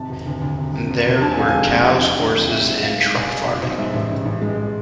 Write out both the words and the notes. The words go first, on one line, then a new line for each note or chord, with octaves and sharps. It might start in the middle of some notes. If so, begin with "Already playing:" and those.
There were cows, horses and truck farming.
Already playing: G#1 C3 A5
E1
D2
D2
C3
C3
E1
E1
D3 A5
G#5
F2 F5
G#5
G#3
F2
F2
F2
D3
F2
G#3 E5
B1
G#3 F5
G#3
B1 G#5
F5
B1 G#5
B2 D5
B1 C5
G#2 E5
A1
A1
A1
G#3